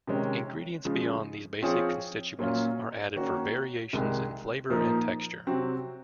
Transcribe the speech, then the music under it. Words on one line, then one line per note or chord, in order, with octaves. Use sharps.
Ingredients beyond these basic constituents are added for variations in flavor and texture.
C3 D#3 G#3 C#4
C#3 F3 G#3
F3 C4 F4 G#4 C#5
A#2 F#3 C#4 F4
D#3 A#3 C#4 F#4
C2 C3 D#3 G#3
A#2 F3 A#3 D#4 A#4
C3 F#3 C4 F#4